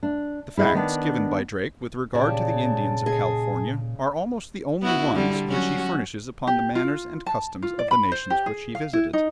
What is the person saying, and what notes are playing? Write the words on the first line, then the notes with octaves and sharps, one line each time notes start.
The facts given by Drake with regard to the Indians of California are almost the only ones which he furnishes upon the manners and customs of the nations which he visited.
D4
E4 G#4 D5 D#5 F5
D#3 B3 D4
A#2 C#3 G3 D5 A5
G#4 D#5
B3 E4 F#4
D3 G3
F#3 C#4 F#4
G4
F4
A5
F4
D5
B5
C5
G4
G#4
F5
E4
D#4